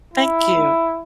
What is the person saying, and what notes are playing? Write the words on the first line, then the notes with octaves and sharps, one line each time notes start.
Thank you.
E4